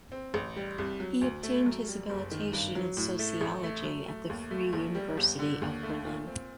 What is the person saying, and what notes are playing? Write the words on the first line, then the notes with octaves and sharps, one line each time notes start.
He obtained his Habilitation in sociology at the Free University of Berlin.
C4
A1
G3
C2
F#3
D2
A3
F#2
G3
F#1
D#3
G2
F#3
A2
A3
A1
A3
F#2
A3
D#2
A3
A#1
G3
G1
D3
D#2
A3
A#2
C4